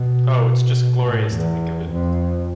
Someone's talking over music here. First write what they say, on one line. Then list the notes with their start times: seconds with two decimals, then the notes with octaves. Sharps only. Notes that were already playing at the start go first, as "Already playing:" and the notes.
Oh, it’s just glorious to think of it.
Already playing: B2
1.07 A2
1.35 E2
1.92 F2